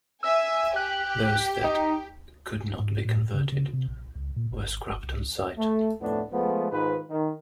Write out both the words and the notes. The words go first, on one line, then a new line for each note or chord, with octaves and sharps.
Those that could not be converted were scrapped on site.
E5 G#5 E6
G4 F#6
D#4
G#2
A2
C#3
C#3
C3
A#1
C#2
A#2
G#1
G1
C2
A3
F2 A2 A3 B3 D4
F3 G#3 A3 B3
G#2 D#3 F4 B4
D#3